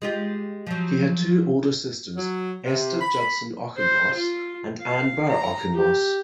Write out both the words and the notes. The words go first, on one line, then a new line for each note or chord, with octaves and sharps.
He had two older sisters, Esther Judson Auchincloss and Ann Burr Auchincloss.
G#3 F4 G4
F3 F#3
F#3
C3
B5
C5
F4
F5
A#5
G4